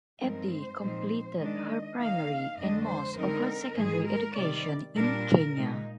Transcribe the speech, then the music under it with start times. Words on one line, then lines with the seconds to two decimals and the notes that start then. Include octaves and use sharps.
Abdi completed her primary and most of her secondary education in Kenya.
0.21 G2 F3 G#3 C4 D#4 A#4
0.51 C5
0.80 A#2 F3 G#3 C4 D#4 C5
1.39 D#3 G#3 D4 D#5
1.99 D#3 A#3 D#4 F5
2.58 F2 D3 G#3 D4 D#5
2.88 C5
3.17 D3 G#3 C4 D#4 A#4
3.77 G#2 D#3 G#3 G#4
4.07 A#4
4.36 C3 D#3 G3 D5
4.95 A#2 G3 D4 A#4
5.55 A#2 G#3 D#4